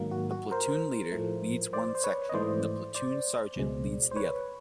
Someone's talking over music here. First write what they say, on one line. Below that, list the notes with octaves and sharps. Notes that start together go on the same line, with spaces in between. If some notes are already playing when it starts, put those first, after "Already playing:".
The platoon leader, leads one section and the platoon sergeant leads the other.
Already playing: G#2 D#3 F#3 A#3
F#4
F#4
A#4 C5
A2 F3 A3
C5 D5
C5
B4 C#5
D#5
G#2 E3 A3 C5 D5
C5 D5
C#2 B2 G#3
C5
B4 C#5